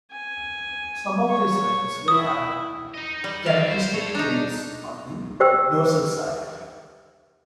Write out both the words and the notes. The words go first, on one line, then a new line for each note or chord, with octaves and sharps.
Some of these rings will have characteristic plates on the dorsal side.
G#5
C#5 C#6
E4 D#6
D#4 D#5
G3
E4 G4 F5
C5
A4 C#5
D4 D#4 A#5
G4 C5 G5 E6